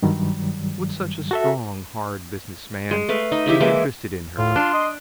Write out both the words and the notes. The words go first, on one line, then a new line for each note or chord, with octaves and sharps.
Would such a strong, hard business man be interested in her?
G2 D#3 F#3 G3
F#4 A4 E5
G#3
A3 B4 F5
D#4 D#5 B5
C#3 E4 G4 E5
E3 G#3 A#3 D6
A2 F4
D4 C6
D#5